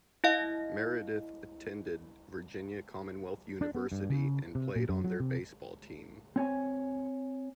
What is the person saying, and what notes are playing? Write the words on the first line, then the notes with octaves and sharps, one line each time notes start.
Meredith attended Virginia Commonwealth University and played on their baseball team.
E4 D#5 F5
D4
B3
G2
C#3
C3
A#2
F#2
F#3
C3
C4 C#5 G#5